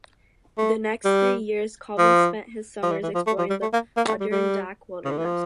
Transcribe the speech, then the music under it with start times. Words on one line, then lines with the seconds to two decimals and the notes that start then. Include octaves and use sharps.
The next three years, Colvin spent his summers exploring the Adirondack wilderness.
0.58 A3
1.05 G3
1.98 F3
2.83 F3
2.92 E3
3.03 E3
3.15 F3
3.27 A3
3.38 F3
3.50 G3
3.62 A3
3.73 A#3
3.97 A#3
4.08 A3
4.20 G3
4.32 G3
5.05 C#3
5.11 D3
5.18 E3
5.25 F3